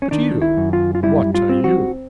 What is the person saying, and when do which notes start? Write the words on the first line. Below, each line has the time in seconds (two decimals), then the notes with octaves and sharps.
But you--what are you.'
0.02 C#4
0.11 D#3 D4
0.42 E4
0.57 F#2
0.73 F4
0.95 F4
1.03 G3 E4
1.34 F4
1.49 C4
1.64 F#4